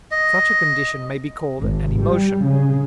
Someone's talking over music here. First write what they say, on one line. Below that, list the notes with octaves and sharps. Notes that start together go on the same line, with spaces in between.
Such a condition may be called an emotion.
D#5
G#1
G3
C#3